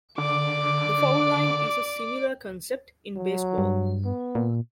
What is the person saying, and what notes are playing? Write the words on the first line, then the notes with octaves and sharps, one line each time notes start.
The foul line is a similar concept in baseball.
D3 D5 D6
F#3
G2
B3
A#2